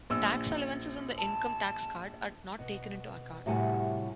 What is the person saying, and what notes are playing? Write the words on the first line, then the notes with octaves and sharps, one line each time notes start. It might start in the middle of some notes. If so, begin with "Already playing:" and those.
Tax allowances on the income tax card are not taken into account.
A#1 E6
A5
B2
A2 C3 G3 F#4 F#5 G#5